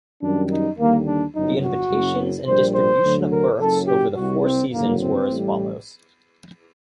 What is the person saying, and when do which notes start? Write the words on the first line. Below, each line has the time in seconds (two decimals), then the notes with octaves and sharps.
The invitations and distribution of berths over the four seasons were as follows.
0.22 F#2 D#3 G3 D4
0.50 D#4
0.78 D#2 D3 G3 A#3
1.06 D4
1.34 G1 F#2 F#3 D#4
1.62 F#4
1.90 F#1 F#2 F#3
2.47 A#1 A#2 G3 C5
2.75 C5
3.03 D2 D3 F#3
3.31 A#4
3.59 F#1 F#2 F#3 A4
3.87 G4
4.16 C2 C3 G3 F#4
4.43 C4
4.72 F#1 F#2 D3 F#3 A#3
4.99 C4
5.28 A1 A2 G3